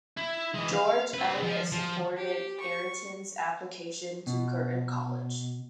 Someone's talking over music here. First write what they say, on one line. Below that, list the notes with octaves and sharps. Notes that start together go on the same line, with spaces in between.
George Eliot supported Ayrton's application to Girton College.
E4
E3 G#3
F5
C4 B4
F3
F3
G4
C#6
B2